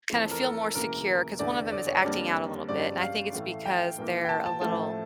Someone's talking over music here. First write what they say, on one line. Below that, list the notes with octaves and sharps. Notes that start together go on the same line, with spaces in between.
kinda feel more secure, 'cause one of 'em is acting out a little bit, and I think it's because they're a little
F2 E3 A3
A#4
A4
E1 D2 C#3 E3 A#3 A#4
F1 E2 D3 A3 D5
D5
C#5
C#5
F2 D3 G3 A#3 D5
G1 F2 C#3 G3 D5
F5
A1 A2 E3 A3
G5
E1 E2 E3 A#3
G5
A5
A5
A1 A2 F3 A3 A5